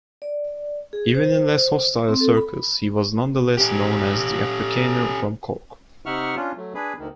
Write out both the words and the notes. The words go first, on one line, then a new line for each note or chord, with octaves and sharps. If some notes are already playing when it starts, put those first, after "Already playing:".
Even in less hostile circles, he was nonetheless known as "the Afrikaner from Cork".
D5
G#4
C5
C4
A4
B5
C#4 G4
C3 D#4 E5 F#5 C#6 F6
C#4 D4 F4
F#3 A3
D4 G#4 B4
D2 D#3